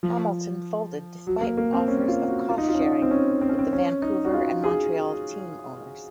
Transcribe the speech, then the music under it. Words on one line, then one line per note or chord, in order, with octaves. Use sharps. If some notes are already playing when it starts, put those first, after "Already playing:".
Hamilton folded despite offers of cost sharing with the Vancouver and Montreal team owners.
F3
F#3
A#3
A#3
C4
C#4
F4
F#4
F4
D#4
F4
C#4
D#4
C4
C#4
C4
C#4
C4
C#4
D#4
F#4
F4
G#4